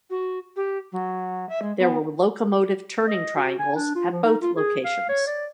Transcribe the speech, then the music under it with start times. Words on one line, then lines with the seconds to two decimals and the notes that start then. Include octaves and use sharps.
There were locomotive turning triangles at both locations.
0.10 F#4
0.56 G4
0.92 F#3
1.49 E5
1.62 G#3
1.79 B3
3.07 D#5
3.36 F#4
3.59 G#5
3.76 D4
3.96 F4
4.12 F3
4.24 D#4
4.42 F4
4.57 G#4
4.85 F5
5.09 C#5
5.27 D5